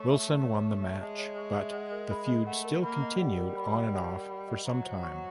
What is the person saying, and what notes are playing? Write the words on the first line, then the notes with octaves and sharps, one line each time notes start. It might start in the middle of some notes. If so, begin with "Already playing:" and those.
Wilson won the match, but the feud still continued on-and-off for some time.
Already playing: A3 C#5 A5 C#6
E5
A5
C#5
C#6
E5
G#3 A5
C#5
C#6
E5
F#5
A#4
B5
D#5
A3 F#5
A#4
A#3 B5
D#5
G3 F#5
A#4
B5
D#5
F#5
A#4
B5
D#5
F#3 A#5
C5
C#6